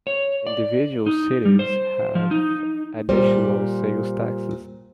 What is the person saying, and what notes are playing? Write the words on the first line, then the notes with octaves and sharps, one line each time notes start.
Individual cities have additional sales taxes.
C#5
D5
D#4
G3
C5
F3
D#4
A#2 G3 C5